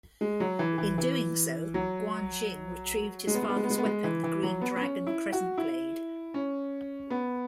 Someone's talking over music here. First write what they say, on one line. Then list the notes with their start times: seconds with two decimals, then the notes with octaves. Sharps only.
In doing so, Guan Xing retrieved his father's weapon, the Green Dragon Crescent Blade.
0.21 G#3
0.40 F#3
0.59 E3
0.78 E3
0.98 E3
1.74 F#3
3.27 G#3
3.35 B3
3.42 G#3
3.49 B3
3.56 G#3
3.64 B3
3.70 G#3
3.78 B3
3.85 G#3
4.04 E3
4.24 E3
4.43 F#3
4.61 B3
4.76 B3
4.81 C#4
5.07 E4
5.33 F#4
5.58 E4
6.34 C#4
7.10 B3